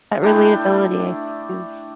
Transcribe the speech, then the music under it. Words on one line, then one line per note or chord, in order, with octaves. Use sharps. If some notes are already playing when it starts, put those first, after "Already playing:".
That relatability, I think, is
A3 D4 E4 G5